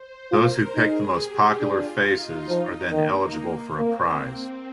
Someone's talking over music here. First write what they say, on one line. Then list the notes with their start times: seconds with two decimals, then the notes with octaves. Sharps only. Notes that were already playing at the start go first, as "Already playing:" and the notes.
Those who picked the most popular faces are then eligible for a prize.
Already playing: C5
0.32 F4 A#4
0.75 D#4 G#4
1.18 G4
1.61 D4 F4
2.05 D#4
2.48 F3
2.92 D#3 A#3
3.78 A#3 C4
4.22 C4